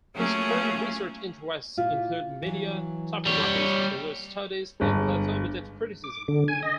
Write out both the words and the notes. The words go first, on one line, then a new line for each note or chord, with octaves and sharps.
His current research interests include media topographies, desert studies, and performative criticism.
F#3 A3 A#3 C#4 F4 G#4
A#2 E4 F4
E3 F#3
G3 C#5
G1 G#3
D6
D3
G#5
D#5